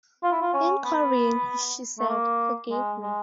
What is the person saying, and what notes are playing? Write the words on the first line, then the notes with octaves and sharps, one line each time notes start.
In Korean, she said, Forgive me.
F4
E4
F4
C#4
B3
A3
A#3
G#3
G#3